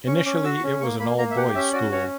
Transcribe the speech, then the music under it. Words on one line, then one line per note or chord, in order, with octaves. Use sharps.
Initially, it was an all-boys school.
C#4 C#6
C#4 D6
F#4 E6
C#6
C#4
A#3 C#6
A#3 B5
A#3 A#5
E5
G4 F#5
C#4 E5
F#4 D5
C#4 C#5